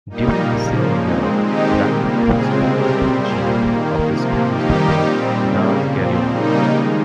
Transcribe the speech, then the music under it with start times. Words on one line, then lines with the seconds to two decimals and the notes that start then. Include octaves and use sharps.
During his senior year, Randall was co-Editor-in-Chief of the school newspaper, "The Galleon".
0.10 A#2 G3 A#3 D#4
0.53 C#3 F3 A#3
0.97 A#2 G#3 C4 D#4
1.42 D#3 G#3 C4 D#4 G4
1.86 A#2 G3 A#3
2.30 C#3 G#3 C4 F4 G#4
2.74 C3 G3 C4 G4 A#4
3.18 A#2 G3 A#3 G#4 C5
3.63 D#3 A#3
4.07 C3 F3 A#3
4.51 D#3 G3 A#3 D#4 G4
4.96 A#2 G3 C4
5.40 C#3 G3 A#3
5.84 A#2 F3 C4
6.27 C#3 G3 A#3 D#4
6.72 D#3 G#3